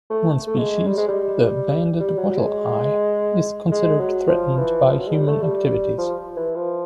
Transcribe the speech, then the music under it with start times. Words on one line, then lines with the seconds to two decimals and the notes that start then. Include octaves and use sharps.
One species, the banded wattle-eye, is considered threatened by human activities.
0.10 A3
0.47 A3
0.57 G#3
0.86 G3
0.97 G#3
1.08 G3
2.00 G3
2.18 F#3
2.38 G#3
3.71 G#3
4.00 F#3
4.28 F3
4.57 E3
4.85 F3
4.99 F#3
5.08 G#3
5.14 G3
5.27 A3
5.42 G3
5.98 F3
6.37 E3
6.55 F3